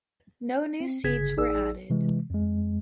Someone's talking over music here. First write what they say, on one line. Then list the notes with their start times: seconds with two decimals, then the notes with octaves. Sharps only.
No new seats were added.
0.80 C4
1.04 G1 C#3 G#4 G#6 B6
1.37 A1 D#4 G#4 D5 E6
1.90 C3 E3 G#3
2.30 F2 G#3